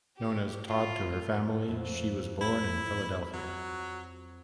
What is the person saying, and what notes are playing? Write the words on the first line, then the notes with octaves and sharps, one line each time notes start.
Known as "Tod" to her family, she was born in Philadelphia.
G4
F4
F2
E4
F#3